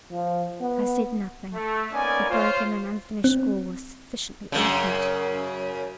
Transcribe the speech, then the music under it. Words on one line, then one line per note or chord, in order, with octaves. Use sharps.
I said nothing; the broken and unfinished scrawl was sufficiently eloquent.
F3
B3
A3
A#3 B3 C#4 D#4 D5 G#5
F4 C5 C#5
C4
F#2 C#3